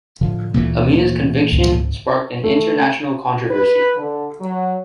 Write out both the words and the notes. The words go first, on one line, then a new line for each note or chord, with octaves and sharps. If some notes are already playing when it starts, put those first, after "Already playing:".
Amina's conviction sparked an international controversy.
A2 D3 F3
D1 A#2 E3 A3 A#3
C#2 G#2 D3
A3
B4
D3
F#3